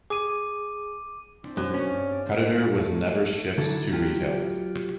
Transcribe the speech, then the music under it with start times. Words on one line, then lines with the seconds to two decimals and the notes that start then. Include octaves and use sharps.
Predator was never shipped to retailers.
0.10 G#4 D6 D#7
1.43 C4 D4 E4
1.57 F#2
1.74 C#4
1.86 G2 D4 F5
2.12 D5
2.25 A3 C5 E6
2.74 A3
3.58 D3 F#3 E4 A4
3.92 F#3 F4 G4